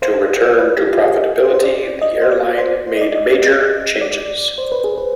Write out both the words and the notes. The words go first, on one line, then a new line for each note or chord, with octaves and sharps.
To return to profitability, the airline made major changes.
C5
B4
B4
G4
F4
G4
G#4
C5
C5
D5
D#5
C5
D5
C5
C5
D#5
D5
D#5
D5
C5
B4
G#4
B4